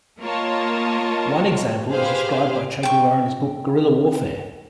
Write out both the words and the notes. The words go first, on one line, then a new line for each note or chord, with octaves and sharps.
One example is described by Che Guevara in his book "Guerrilla Warfare".
A#3 F4 A#4 C#5 D#5 A5
G4 G#4 B4 C5 F5
G5 C#6